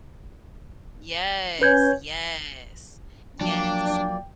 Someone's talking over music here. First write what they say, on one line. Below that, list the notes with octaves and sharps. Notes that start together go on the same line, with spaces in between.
Yes, yes, yes.
C#4 B4 G6 G#6
F3 F#3 A#3 D4 D5 G5